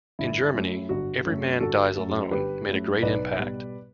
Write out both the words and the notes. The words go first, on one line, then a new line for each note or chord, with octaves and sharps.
In Germany, "Every Man Dies Alone" made a great impact.
G1 E4
F#2 F#3 A3
G1 F#4
F#2 F#3 A3
G1 F#4 A4
F#2 F#3 A3
G1 G4 B4
F#2 F#3 A3
B1 B4 D5
B2 G3